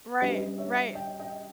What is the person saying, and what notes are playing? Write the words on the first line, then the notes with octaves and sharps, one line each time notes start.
Right, right.
G2 G3 C#4 B4 D#5
C#5 E5
D#5 G5
D#5 G5